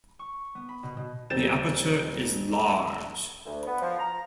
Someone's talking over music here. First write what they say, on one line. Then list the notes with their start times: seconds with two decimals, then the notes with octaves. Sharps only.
The aperture is large.
0.19 C#6
0.55 B3
0.69 B5
0.83 B2
0.97 B2
1.30 D#1 C4 G6 A6 E7
3.45 D2
3.66 B3
3.82 F3
3.99 A#5